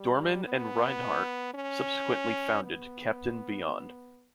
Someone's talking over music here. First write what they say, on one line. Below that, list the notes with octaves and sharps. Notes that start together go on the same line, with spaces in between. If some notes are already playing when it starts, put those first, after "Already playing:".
Dorman and Reinhardt subsequently founded Captain Beyond.
Already playing: G3
B3
C#4
B3